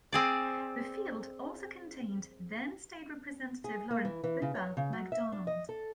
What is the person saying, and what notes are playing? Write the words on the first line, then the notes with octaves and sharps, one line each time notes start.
The field also contained then state representative Lauren "Bubba" McDonald.
C4 G#4 D5
G#4
A#3
E3
E3
C#3
C#5
C#3
F#3
E5
D4
D#5
A4